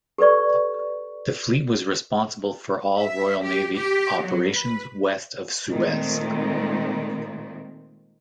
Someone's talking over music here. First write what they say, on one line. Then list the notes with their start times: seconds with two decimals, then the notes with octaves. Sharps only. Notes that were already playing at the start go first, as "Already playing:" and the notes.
The fleet was responsible for all Royal Navy operations "West of Suez".
0.18 G4 A4 B4 D5 C#6
2.99 E5
3.43 G4
3.75 G4
4.23 F#3
4.53 B4
5.70 A#2 D#3 G#3 A3 C4